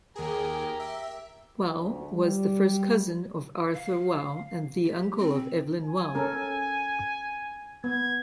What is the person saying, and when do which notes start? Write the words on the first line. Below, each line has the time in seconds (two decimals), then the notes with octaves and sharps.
Waugh was the first cousin of Arthur Waugh and the uncle of Evelyn Waugh.
0.16 D#2 G4 G#4 A#4
0.80 E5
1.74 D2
2.15 G3
3.74 F5
4.85 G4
5.18 C4
5.84 G#5
6.15 C#4 A4 A#4
7.84 B3 G#6